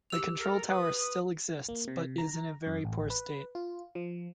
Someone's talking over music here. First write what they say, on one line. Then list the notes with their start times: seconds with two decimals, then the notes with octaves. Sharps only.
The control tower still exists, but is in a very poor state.
0.10 G4 E6 F7
0.40 A4 A#4
0.70 B4 D#6
1.69 A#3
1.88 C3
2.18 A#5
2.66 F#2
2.85 A1
3.10 B4
3.55 F4
3.95 F3